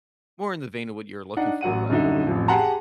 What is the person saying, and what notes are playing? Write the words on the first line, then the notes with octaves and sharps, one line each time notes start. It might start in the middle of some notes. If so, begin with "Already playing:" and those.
more in the vein of what you're looking for, but,
D4 D#4 F#5
A1 F#3 F#5 D#7
D#1 F#2 D3 D#4 E5
A1 F2
G4 G#4 F#5 A5 A#5 C6